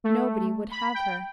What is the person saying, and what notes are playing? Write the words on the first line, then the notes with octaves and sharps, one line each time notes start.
Nobody would have her.
A3
B5
G5